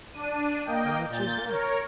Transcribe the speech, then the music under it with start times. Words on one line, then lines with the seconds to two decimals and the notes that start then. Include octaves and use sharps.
"How much is that?"
0.13 D4 D#7
0.65 A#3 D#5 G5
1.08 A#2 G6 A6
1.45 A#4 C#5